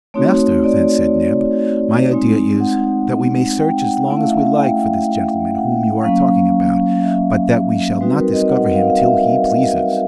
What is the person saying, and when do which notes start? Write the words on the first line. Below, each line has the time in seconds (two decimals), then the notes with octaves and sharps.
"Master," then said Neb, "my idea is, that we may search as long as we like for this gentleman whom you are talking about, but that we shall not discover him till he pleases."
0.14 A3 C4 D#4 F#4 C#5
0.64 D5
2.11 G#3 C4 D#4
2.60 F#5
3.59 G5
3.82 F#5
4.07 A3 C#4 E4 F#5
4.17 F5
4.27 E5
4.36 F5
4.56 G5
5.55 F#5
6.03 F#3 A#3 C#4 F5
7.03 E5
8.01 G3 C4 D#4 F#4 B4
8.17 A#4
8.33 D#5
8.49 F#5
8.74 F5
8.90 F5
8.99 E5